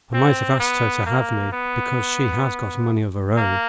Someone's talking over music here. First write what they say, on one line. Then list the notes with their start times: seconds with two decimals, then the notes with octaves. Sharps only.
I might have asked her to have me, because she has got money of her own.
0.14 C4
0.60 B3
1.06 A#3
1.53 B3
3.37 A#3